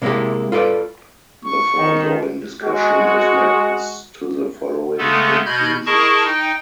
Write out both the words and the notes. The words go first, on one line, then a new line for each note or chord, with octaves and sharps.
The foregoing discussion has led us to the following conclusions.
C3 G#3 A#3 C#4 E4 G4
F4 A4 B4 D5
C#6
D#3
G#3 F#4
C#3 G#3 A3 B3 A4
B2 D#5 B5 F6 G6 G#6
E4 G#4 A#4 D#5 A5 C#6
D#4 D#5 G5